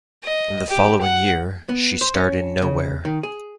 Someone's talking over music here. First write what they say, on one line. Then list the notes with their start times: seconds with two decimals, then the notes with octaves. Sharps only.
The following year, she starred in "Nowhere".
0.24 D#5
0.69 G4
1.01 F#5
1.69 B3
2.01 C5
2.16 C#4
2.62 C#3
3.05 D#3
3.23 G#4